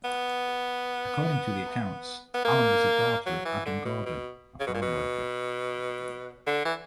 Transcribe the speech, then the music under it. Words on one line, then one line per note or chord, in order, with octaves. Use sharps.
According to the accounts, Allan was the daughter of Adam Gordon, a farm worker.
B3
B3
A#3
F#3
E3
D3
B2
B2
C#3
B2
A#2
B2
D3
E3